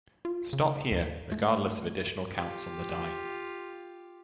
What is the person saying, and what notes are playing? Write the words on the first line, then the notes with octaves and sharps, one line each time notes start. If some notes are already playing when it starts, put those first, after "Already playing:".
Stop here, regardless of additional counts on the die.
F4
C#3
D#2
A3
F4 G4